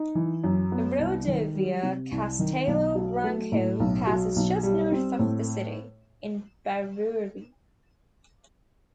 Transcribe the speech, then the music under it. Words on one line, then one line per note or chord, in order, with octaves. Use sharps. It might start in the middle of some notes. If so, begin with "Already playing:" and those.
The Rodovia Castelo Branco passes just north of the city, in Barueri.
Already playing: D#4
E3
F#2
B3
C2
D#3
G3
C3
C2
D#3
B1
F#3
A3
A2
B1
F#3
B1
G3
C4
A2